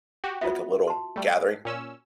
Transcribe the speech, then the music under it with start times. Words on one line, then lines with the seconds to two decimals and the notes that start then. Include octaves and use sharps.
Like a little, gathering,
0.24 F#4 G4
0.41 B3 F4 F#4 E5
0.87 A5 C6
1.16 G3 A3
1.65 A#2 C#4 E6